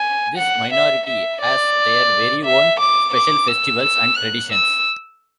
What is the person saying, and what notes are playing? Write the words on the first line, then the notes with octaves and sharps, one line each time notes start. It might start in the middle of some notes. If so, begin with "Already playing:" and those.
This minority has their very own special festivals and traditions.
Already playing: G#5
F#5
E5
E5
D5
E5
D6
D6
E6
E6
F#6
E6